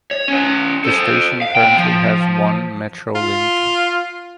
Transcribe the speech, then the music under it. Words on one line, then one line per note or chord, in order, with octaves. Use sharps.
The station currently has one metrolink.
C#5
C#4 B4
A4 C5
F5
B2 G5
F3
F4